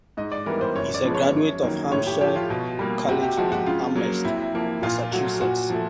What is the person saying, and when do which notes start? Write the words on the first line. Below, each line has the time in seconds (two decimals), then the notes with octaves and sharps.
He is a graduate of Hampshire College in Amherst, Massachusetts.
0.17 G#2 D#5
0.32 D5
0.46 E3 G3 B3 A#4
0.61 C5
0.75 F#2 C#5
0.94 D5
1.04 C#3 F3 G#3 B3
1.14 C#5
1.33 F#2
1.63 D#3 F#3 A#3
1.92 A2 C#5
2.07 G4
2.21 F3 A3 G4
2.35 F4
2.50 B2
2.79 G3 A#3
3.08 C3 F#4
3.23 G4
3.37 F3 G#3 F#4
3.52 F#4
3.66 C#3 F4
3.95 F#3 A#3
4.25 C3 E4
4.54 F3 A#3
4.83 A#2 F4
5.11 F#3 A3 F#4
5.41 A#2 F#4
5.70 F3 A3